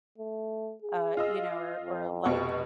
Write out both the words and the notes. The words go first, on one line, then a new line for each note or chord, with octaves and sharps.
uh, you know, or or, like,
A3
G#4
F4 D#5 E6
F2
F1 B2 C#6